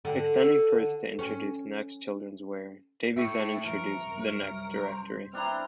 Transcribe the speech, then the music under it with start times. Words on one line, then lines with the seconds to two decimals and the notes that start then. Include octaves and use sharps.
Extending first to introduce Next childrenswear, Davies then introduced the Next Directory.
0.05 D3
1.19 C#4
3.17 A2 E5 C#6 C#7
3.65 F#2 F3 A#4
4.02 C2 F#2
4.87 C5
5.33 C4 D4 E4 A#5 C6 F6